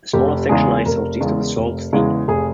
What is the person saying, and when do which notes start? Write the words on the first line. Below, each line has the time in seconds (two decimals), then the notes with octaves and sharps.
A smaller section lies southeast of Sault Ste.
0.13 F1 G4
0.49 E2 C#3 E3 G#3 G#4
0.86 F1 A#4
1.20 E2 C#3 E3 G#3
1.57 F1
1.93 E2 C#3 E3 G#3
2.28 F1 G#4